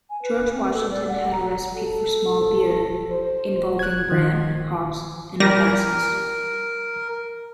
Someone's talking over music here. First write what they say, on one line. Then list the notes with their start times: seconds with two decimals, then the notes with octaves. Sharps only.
George Washington had a recipe for small beer involving bran, hops, and molasses.
0.10 G#5
0.22 B4
0.54 C4
0.74 A4
0.92 D5
1.07 F#5
1.32 A#5
1.76 A4
3.12 C5
3.79 F#6 G#6
4.12 D#3
5.40 G3 A#4 A#6